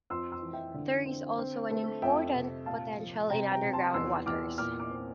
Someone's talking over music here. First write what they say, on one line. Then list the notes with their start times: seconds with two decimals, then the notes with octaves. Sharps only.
There is also an important potential in underground waters.
0.10 F2 C6 E6
0.32 C6 E6
0.42 E3
0.53 E5 G5
0.74 D3
1.06 C4
1.38 C4
1.71 A3
2.02 F2 E5 G5
2.34 C3
2.66 A#2 F5 A5
2.98 F3
3.30 C3 G5 A#5
3.52 G5 A#5
3.62 C3
3.73 A5 C6
3.94 E2 C6 E6
4.26 E2 D6 F6
4.58 A#2 D6 F6
4.79 D6 F6
4.90 C4